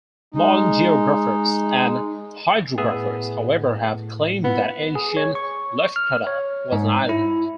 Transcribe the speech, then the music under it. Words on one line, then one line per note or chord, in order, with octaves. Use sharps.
Modern geographers and hydrographers, however, have claimed that ancient Lefkada was an island.
G#3 D#4
A2 B3 G#4 E5
B3 E4 F4
G#4
C#5
C#6
F6
C#5
G#2
E4